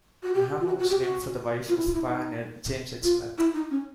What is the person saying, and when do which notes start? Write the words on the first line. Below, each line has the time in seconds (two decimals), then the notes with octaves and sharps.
Mehama was named for the wife of pioneer James X. Smith.
0.23 F#4
0.34 G4
0.60 F4
0.66 F#4
0.79 F#4
0.90 G4
1.00 F#4
1.69 F4
1.77 E4
1.85 F4
1.94 E4
2.03 D#4
3.03 F4
3.38 E4
3.54 D#4
3.71 C#4